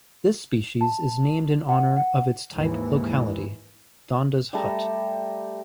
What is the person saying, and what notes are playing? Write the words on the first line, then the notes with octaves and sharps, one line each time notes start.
This species is named in honour of its type locality Dundas Hut.
A5
F#5
F#5
D#2 G#2 E3
G3 A3 A4 A#5